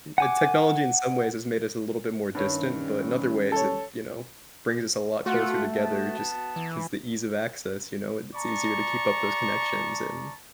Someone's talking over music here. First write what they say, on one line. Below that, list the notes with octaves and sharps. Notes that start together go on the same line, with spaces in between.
eh, technology in some ways has made us a little bit more distant, but in other ways it, you know, brings us a lot closer together just 'cause the ease of access, you know, it's easier to keep up those connections, and
F#5 G#5 D6
G2 D#3 G3 C#4 C#5
A4 C#5
A3 B3 F4 F#4 F#5
B3 A5
E3
D5 A5 A#5 C#6